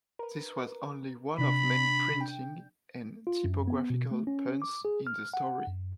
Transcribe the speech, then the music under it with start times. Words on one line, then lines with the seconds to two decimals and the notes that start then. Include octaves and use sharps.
This was only one of many printing and typographical puns in the story.
0.19 A#4 B4
1.38 C3 D4 B5
2.21 G5
3.27 F4
3.44 F#2
3.68 B3
3.90 B2
4.11 A3
4.27 C#4
4.62 D6
4.85 G#4
5.07 F6
5.34 F#5
5.67 F#2